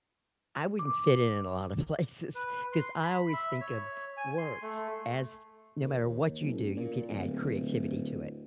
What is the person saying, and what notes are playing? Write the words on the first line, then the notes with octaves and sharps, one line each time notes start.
I wouldn't fit in in a lot of places 'cause I always think of work as no matter what you do, you can add creativity to it
D6
B4
C6
B5
E5
C#5
G#5
C6
A3
D#2
F#1
A#2
D1